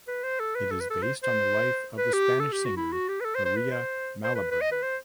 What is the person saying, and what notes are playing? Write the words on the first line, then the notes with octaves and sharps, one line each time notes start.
It is based on the life of the Spanish singer Maria Malibran.
B4
C5
A4
B4
A4
B4
A4
C5
C5
B4
G4
A4
G4
F#4
E4
F#4
G4
B4
A4
C5
C5
B4
C5
C5
B4
B4
D#5
B4
C5